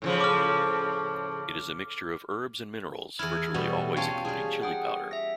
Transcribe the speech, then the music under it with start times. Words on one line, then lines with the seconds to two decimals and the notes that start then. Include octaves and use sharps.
It is a mixture of herbs and minerals, virtually always including chilli powder.
0.02 A2 C#3 F3
0.20 D6 F6
3.19 E2 E4 F6 G#6
3.54 B2 G3 F#5
3.97 C#4 F4 C#5 F5 G5 A5
4.25 G3 G#4
4.62 F#5 G5 D#6
5.11 E5 A#6